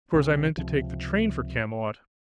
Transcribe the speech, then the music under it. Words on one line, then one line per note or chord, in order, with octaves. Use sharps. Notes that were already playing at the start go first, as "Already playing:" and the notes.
Of course, I meant to take the train for Camelot.
C2 C#3
C#2 C3 F3